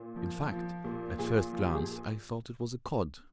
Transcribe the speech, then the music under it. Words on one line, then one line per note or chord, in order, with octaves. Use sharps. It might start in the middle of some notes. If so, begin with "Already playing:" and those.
In fact, at first glance, I thought it was a cod.
Already playing: A#2
F3
F3
A#2
A#2 G#4
F3
G4
G#4